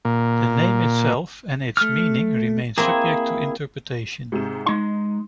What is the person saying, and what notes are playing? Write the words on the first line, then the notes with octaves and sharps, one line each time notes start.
The name itself and its meaning remain subject to interpretation.
A#2
A3 F6
A#3 C4 E4 G#4
G#2 C3 E7
G#3 D#4 C6